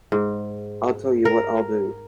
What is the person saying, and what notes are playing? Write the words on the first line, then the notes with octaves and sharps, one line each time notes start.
I'll tell you what I'll do.
G#2
A#4